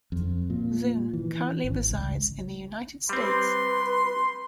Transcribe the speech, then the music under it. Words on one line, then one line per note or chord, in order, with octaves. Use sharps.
Zun currently resides in the United States.
F2
A#2
E3
G#1
C#2
G3 C4 B4 C6